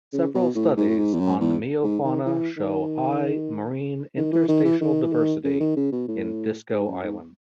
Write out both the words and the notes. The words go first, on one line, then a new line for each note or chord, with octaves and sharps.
Several studies on the meiofauna show high marine interstitial diversity in Disko Island.
C#3
B2
A2
G#2
A2
G#2
E2
F#2
E2
G#2
D#3
E3
D#3
D#3
E3
D#3
E3
D#3
E3
D#3
C#3
D#3
C#3
B2
A2
G#2
F#2
G#2